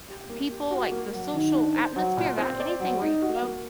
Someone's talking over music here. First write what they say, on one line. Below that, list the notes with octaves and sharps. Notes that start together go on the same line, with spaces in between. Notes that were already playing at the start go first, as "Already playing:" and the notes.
u people like the social atmosphere that anything where you can go
G4
A#3
G4
F#4
A#3
F#3
D#3
D4
C5
F#3
A#2
C4
D5
F#3
D#4
F#4
A#3